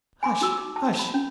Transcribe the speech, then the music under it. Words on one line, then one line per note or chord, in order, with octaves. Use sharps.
'Hush! hush!
G#5 B5 C6 D6
D#4 F#4 D6 E6
D6
A5
B5
C#4